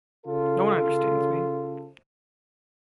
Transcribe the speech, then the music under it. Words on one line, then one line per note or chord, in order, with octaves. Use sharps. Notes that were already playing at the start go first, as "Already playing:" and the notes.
No one understands me.
C#3 F4 A4